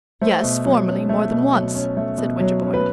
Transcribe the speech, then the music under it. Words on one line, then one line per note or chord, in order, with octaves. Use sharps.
"Yes, formerly, more than once," said Winterbourne.
A3 C5
B2
F#3
C#4
A3
B2
F#3
C#4
A3
B2
F#3
C#4
B4